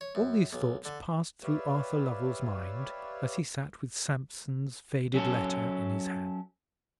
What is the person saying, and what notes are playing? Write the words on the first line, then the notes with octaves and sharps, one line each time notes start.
All these thoughts passed through Arthur Lovell's mind as he sat with Sampson's faded letter in his hands.
C#5
F#2
B1
D3
G4 B4 C#5 D5 E5 F5
F#3 C#4 A4